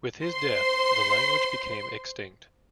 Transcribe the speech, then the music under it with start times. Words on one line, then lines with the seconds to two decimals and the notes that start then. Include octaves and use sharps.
With his death, the language became extinct.
0.24 C5 C6